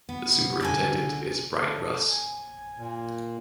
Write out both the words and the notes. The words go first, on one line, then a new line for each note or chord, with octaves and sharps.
The superintendent is Brian Russ.
B3
D3 A4 G#5
A4
G#5
A#2